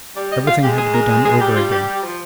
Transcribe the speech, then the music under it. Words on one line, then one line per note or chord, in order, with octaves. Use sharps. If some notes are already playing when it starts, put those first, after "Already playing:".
Everything had to be done over again.
G3 D5
D#5
F5
G#3 G4
G#4
A#4
G#4
G#4
G3 G4
F4
G4
F3